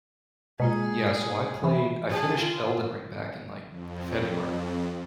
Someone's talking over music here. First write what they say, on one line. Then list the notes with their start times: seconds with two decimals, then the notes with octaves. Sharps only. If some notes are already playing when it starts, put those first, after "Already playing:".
yeah, so I played I finished Elden Ring back in, like, February,
0.60 B2 G#3 A#3 F4 G#4
1.64 E3 E5 B5
2.09 G#4 A5
2.40 F4
3.68 F2